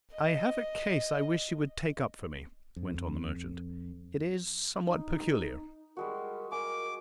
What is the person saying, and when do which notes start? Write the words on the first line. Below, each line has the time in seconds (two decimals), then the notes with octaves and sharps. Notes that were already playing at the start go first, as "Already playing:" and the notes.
"I have a case I wish you would take up for me," went on the merchant. "It is somewhat peculiar."
0.15 D#5
2.76 F2
4.87 D#4
5.97 G3 G#3 F#4 A#4
6.52 A#4 G#5 D6